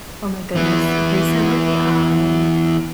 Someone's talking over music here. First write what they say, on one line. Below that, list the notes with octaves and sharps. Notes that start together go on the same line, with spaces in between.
Oh my goodness, recently, I
E3 B3